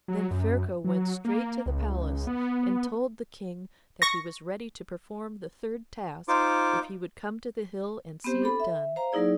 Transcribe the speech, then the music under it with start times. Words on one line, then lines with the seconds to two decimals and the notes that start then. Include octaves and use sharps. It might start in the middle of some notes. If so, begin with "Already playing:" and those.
Then Ferko went straight to the palace and told the King that he was ready to perform the third task if he would come to the hill and see it done.
0.08 F#3
0.31 F#2
0.85 F#3
1.25 A#3
1.66 C#2
2.27 B3
4.02 C#6 A#6
6.28 D#4 F4 C5 D6
8.24 B3 C4 G4 C5
8.42 D4 A4 B5
8.60 E5
8.96 C5 F5 A#5
9.12 F#3 A#3 D#4 E4 G#4 D5